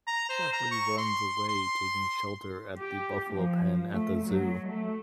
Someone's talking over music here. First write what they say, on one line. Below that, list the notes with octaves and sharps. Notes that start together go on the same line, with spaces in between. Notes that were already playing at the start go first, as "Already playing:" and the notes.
Jeffrey runs away, taking shelter at the buffalo pen at the zoo.
A#5
C5
A#5
C#6
C6
C6
G4
F3
A3
F#3
A3